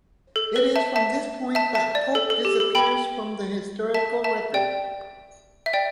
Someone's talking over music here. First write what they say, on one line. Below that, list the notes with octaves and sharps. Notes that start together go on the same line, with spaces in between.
It is from this point that Pope disappears from the historical record.
A4
B4
E5 A5
E5 A5
E5 A5
E5 A5
D5
A4
A4
G4
A4
G5 B5
E5 A5
E5 A5
D5 G5
E5
D5 G5